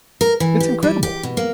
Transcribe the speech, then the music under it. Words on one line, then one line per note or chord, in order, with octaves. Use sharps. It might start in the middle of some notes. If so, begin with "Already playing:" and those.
It's incredible!
A#4
E3
G4
G3
G4
B2
A#3